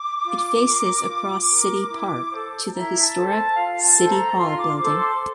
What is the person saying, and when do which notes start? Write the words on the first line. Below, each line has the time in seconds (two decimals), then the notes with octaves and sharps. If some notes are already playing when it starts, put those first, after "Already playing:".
It faces across City Park to the historic City Hall building.
Already playing: D6
0.25 F4
0.66 A#4
1.08 F4
1.49 A#4
1.90 E4
2.31 A4 C5
2.65 A5
2.73 E4 A#5
3.00 A5
3.14 A4 C5
3.28 A5
3.55 F4 F5
3.83 A5
3.96 A4 C5
4.10 A#5
4.37 F4 C6
4.58 D6
4.79 A4 C5 D6
4.99 C6